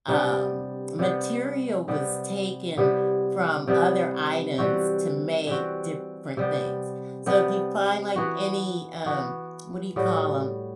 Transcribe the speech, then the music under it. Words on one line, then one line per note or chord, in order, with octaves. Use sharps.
um, material was taken from other items to make different things. So if you find like any, um, what do you call 'em?
C3 G3 B3 D4
C3 G3 B3
C3 G3 B3
C3 G3 B3 E4
C3 G3 B3 E4
E3 G3 C4 F#4
E3 G3 C4 F#4
C3 G3 B3
C3 G3 B3
E3 B3 F#4
E3 B3 F#4
A2 G3 B3 F#4